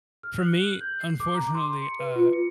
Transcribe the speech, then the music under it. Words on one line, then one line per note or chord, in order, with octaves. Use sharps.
For me, unfortunately, uh,
F6
F#6
F#7
G6
C7
D6
A#5
C6
C#7
B4
F4
C#7